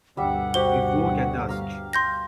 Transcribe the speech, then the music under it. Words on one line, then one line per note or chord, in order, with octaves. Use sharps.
We woke at dusk.
D2 G2 B2 G3 E5 F#5
F#4 G4 C5 G7
F5 A#5
C6 G6 A#6